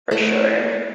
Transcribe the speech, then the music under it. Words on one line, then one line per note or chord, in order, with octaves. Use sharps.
for sure.
A3 E4 A4 F#5